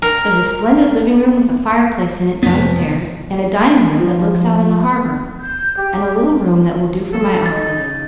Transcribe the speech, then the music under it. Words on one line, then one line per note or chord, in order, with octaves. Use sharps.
There's a splendid living room with a fireplace in it downstairs, and a dining room that looks out on the harbor, and a little room that will do for my office.
A#4
F1 B3
F3
G6
G4
F#3 A4
D#4 A6
C#3